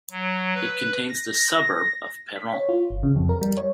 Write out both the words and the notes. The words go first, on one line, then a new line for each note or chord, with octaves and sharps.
It contains the suburb of Peron.
F#3
B4
A#6
B6
C#5
F4
G1
C#3
F2
A#4
G3
C#5